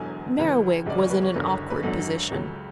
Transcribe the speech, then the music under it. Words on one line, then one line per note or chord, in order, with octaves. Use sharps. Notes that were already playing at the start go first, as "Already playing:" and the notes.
Merriwig was in an awkward position.
Already playing: E1 E2 D3 F#3 G#5
C#2 C#3 E3
E1 D2 C#3 D5
C#5
B4
C#5
F#1 F#2 D3 B4
C#5
B4
G#1 F#2 D3 F#3 A4
C#2 C#3 F#3